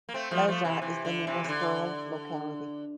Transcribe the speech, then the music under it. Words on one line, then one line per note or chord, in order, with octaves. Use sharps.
Lezha is the nearest rural locality.
A#3
A3 C4
F3 A3
F3 A3
C3 E3
C3 E3
D3
C3 E3
C3
D3